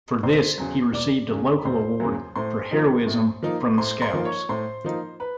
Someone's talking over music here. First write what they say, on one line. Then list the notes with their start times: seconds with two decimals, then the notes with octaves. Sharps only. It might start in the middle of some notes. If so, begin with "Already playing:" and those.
For this, he received a local award for heroism from the Scouts.
0.23 E1 C5 C6
0.58 E2 C#3 F#3
0.94 E1 D5 D6
1.29 E2 C#3 F#3
1.59 B5
1.65 E1 C5 C6
2.00 E2 C#3 F#3
2.36 A2 C5 C6
2.71 F3 A#3 D#4
3.07 A2
3.43 F3 A#3 D#4
3.78 A2 C5 C6
4.02 C5 C6
4.13 F3 A#3 D#4
4.25 C#5 C#6
4.49 A2 C5 C6
4.84 F3 A#3 D#4
5.20 B4 B5